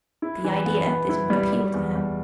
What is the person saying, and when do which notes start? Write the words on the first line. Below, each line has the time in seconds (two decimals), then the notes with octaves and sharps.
The idea didn't appeal to him.
0.22 E4
0.44 E3
0.66 B3
0.87 B3
1.09 E4
1.30 G3
1.52 G3
1.74 E2
1.95 E2